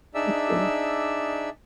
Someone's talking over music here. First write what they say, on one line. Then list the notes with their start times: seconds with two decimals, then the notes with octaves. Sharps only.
me too.
0.14 D4 D#4 G#4 D5 E5 E6